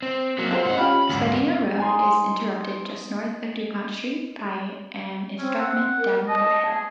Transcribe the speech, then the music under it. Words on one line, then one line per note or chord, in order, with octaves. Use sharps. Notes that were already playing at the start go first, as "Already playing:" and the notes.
Spadina Road is interrupted just north of Dupont Street by an escarpment, Davenport Hill.
C4
F#3 A#3
C4 F4 A#4 C5
G#2 D#4 C5 F#5
C#4 F4 G4 B5
D2 G#2
D#4 G#5 C6
C4 C#4
F#5
A#4
D#5 A5
G#4